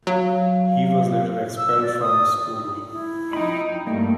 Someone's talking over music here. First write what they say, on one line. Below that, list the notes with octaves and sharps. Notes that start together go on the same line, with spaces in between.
He was later expelled from the school.
F#3 F5
E6
D5
D#6
E4
F2 D#4 G5 B5
G2 G3 A3 A#3